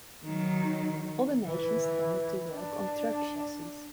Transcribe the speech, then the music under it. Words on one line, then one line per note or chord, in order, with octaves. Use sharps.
Other nations tended to work on truck chassis.
D#3 F#3
E3
D4